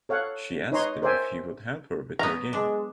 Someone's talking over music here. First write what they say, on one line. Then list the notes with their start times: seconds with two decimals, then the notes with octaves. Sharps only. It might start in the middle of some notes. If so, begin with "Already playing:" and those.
She asked him if he would help her with her game.
0.09 A4 C#5 F5 F#5
0.72 D#4 B4 C#5 D#5 A#5 C6
1.02 A#4 C5 D5 E5 G5 G#5
2.19 F#3 B3 A#5
2.53 G#3 D4